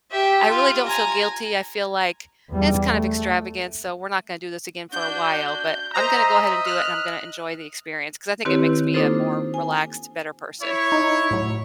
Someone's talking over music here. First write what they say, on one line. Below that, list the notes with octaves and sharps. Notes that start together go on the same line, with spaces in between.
I really don't feel guilty; I feel like, "It's kind of extravagant, so we're not gonna do this again for a while, but, I'm gonna go ahead and do it, and I'm gonna enjoy the experience," 'cause I think it makes me a more relaxed, better person,
G4 E5
F4
G#5 A#5
E2 G3
A3
D4 F#4 G6
C5 D#5 E5 A#5
F6 F#6
D#3 C4 E4 G4 B4 C#5
A#3 D4 D#4 F4 A4 C5
G#5
E4 C#5
D#4
A2 F#3